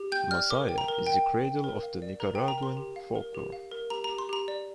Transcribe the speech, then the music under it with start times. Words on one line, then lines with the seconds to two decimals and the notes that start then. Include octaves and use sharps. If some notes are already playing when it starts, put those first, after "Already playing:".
Masaya is the cradle of the Nicaraguan folklore.
Already playing: G4
0.12 G5 G6
0.31 D5 F6
0.50 A#4 D6
0.69 G5
0.78 A#5
0.88 A#4
1.07 G5
1.26 G5
1.44 G5
1.64 A#4
1.83 F5
2.02 D5
2.20 A#4 A#5
2.35 G5
2.40 F5
2.48 A#5
2.58 A#4 C6
2.77 G4
2.96 F5
3.16 A#4
3.35 G4
3.52 F5
3.71 A#4
3.90 G4 A#5
4.04 A#5
4.09 G4
4.18 C6
4.29 G4 A#5
4.48 D5